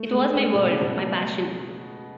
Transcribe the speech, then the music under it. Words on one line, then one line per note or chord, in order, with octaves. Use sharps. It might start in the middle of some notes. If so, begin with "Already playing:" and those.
It was my world, my passion.
Already playing: A3
G#3
G#3
B2
C#3
B2